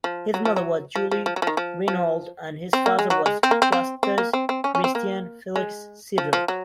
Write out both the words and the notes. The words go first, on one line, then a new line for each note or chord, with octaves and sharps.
His mother was Julie Reinhold and his father was Justus Christian Felix Seidel.
F3
F#3
F3
F#3
F3
F3
F3
F#3
F3
D#3
F3
F3
C4
A#3
G#3
F#3
G#3
C4
A#3
C4
C4
C4
A#3
C4
C4
C#4
C#4
C4
A#3
G#3
F3
F3
F#3